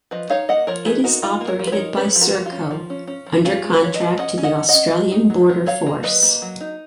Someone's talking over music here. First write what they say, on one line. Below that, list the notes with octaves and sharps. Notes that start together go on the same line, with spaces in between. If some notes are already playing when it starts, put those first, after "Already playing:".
It is operated by Serco under contract to the Australian Border Force.
F3 B4 D#5
D#4 C#5 F5
A#3 D#5 F#5
F3 A#4 C#5
D#4 G#4 B4
D#4 F#4 A#4
D#4 F4
A#3
A#4 C#5
F3
B4
A#4 C#5
D#4
C#4 G#4 B4
F3
F#4 A#4
F3
F4
C#4
F3
C#4
C#4
F3
C#4 F4 G#4
G#3
B4
F3 C#5
B4 D#5
F3
C#4 D#5 F#5
C#4
D#5 F#5
C#4
D#5 F#5
C#4
F#3
D#4
F#3
F#3
F#3 C#5 F5
A#3
F#3 B4 D#5
A#3
F#3
D#4